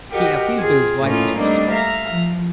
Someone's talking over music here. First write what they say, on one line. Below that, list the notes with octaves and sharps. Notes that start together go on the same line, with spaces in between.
He appealed to his wife next.
F#4 G4 A#4 D#5 G5
C4 F4 G#4
A2 A3 A#3 C#4 D#4 F4
G3 A3 A#3 C4 D4 D#4
E5 F5 A#5
F3